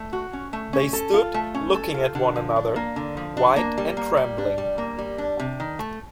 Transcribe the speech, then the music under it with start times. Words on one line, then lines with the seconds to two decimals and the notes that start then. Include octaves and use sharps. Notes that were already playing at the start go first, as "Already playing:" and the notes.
They stood looking at one another, white and trembling.
Already playing: A3
0.13 F#4
0.33 C#4
0.53 A3
0.73 C#4
0.93 A4
1.14 F4
1.34 A3
1.54 C#4
1.74 A4
1.94 F4
2.15 D3
2.36 F3
2.56 D4
2.76 A#3
2.96 D3
3.17 F3
3.37 D4
3.56 A#3
3.78 G3
3.97 A#3
4.17 G3
4.38 D4
4.58 G3
4.78 A#3
4.98 G3
5.18 D4
5.39 C3
5.60 D#3
5.79 A3